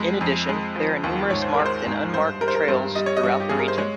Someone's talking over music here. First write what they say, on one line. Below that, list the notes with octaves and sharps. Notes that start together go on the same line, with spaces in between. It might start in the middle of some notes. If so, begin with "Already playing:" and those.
In addition, there are numerous marked and unmarked trails throughout the region.
Already playing: F2 G#3
F2
G#3
F3
D#2
G#2 C#5
C5
G#3 A#4
C5
G#2
G2 C5
G3 A#4
C5
A#4
G2 C5
G3 D#5
C#5
D#5
G2
G4
G2 G#4
A#4
C5
G#3 C#5